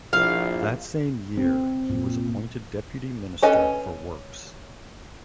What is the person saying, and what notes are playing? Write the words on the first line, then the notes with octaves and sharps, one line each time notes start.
That same year he was appointed deputy minister for Works.
A#1 A#3 E4 F5
C4
A#2
C#4 A4 B4 D#5 G#5